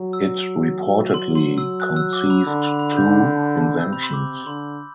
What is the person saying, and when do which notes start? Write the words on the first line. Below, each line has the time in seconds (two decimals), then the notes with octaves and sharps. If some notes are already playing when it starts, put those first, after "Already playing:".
It reportedly conceived two inventions.
Already playing: F#3
0.13 E6
1.14 C6
1.35 C6
1.58 E6
1.80 F#6
1.96 E6
2.13 D6
2.30 B5
2.47 D3 B5
2.64 B5
2.79 B5
2.97 G6
3.80 C3 E6
3.93 B5
4.03 C6
4.14 D6
4.46 D3 C6